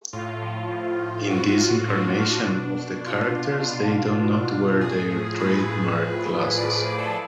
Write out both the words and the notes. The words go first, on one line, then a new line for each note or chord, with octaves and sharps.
In this incarnation of the characters they do not wear their trademark glasses.
A2 F4
F3
A2
F3
A2 F#4
F3 F#4
A2 D4
F3
B2
B2 F4
B2
B2
A2 G#4
F3
A2 B4
F3
A2
F3
A2 D5
F3 G#4
A4
B4